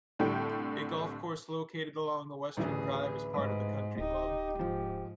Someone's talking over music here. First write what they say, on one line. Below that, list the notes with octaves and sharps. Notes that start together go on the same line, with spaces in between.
A golf course located along the western drive is part of the country club.
C2 A2 D3 G3 G5
A1 D2 G#4 B4
G#2
D1 D#4 G4
G#2 F3